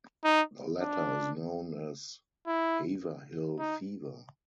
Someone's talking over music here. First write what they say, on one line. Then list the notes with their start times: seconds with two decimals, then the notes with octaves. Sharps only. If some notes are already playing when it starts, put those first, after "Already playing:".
The latter is known as Haverhill fever.
0.24 D#4
0.80 D4
2.47 E4
3.59 D#4